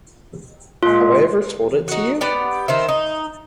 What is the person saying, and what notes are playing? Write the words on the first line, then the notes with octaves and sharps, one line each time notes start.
Have I ever told it you?
A#2 G#3 F4
D#4 F#4
B3 G4 D5 F#5
D#3 C5 E5
D#4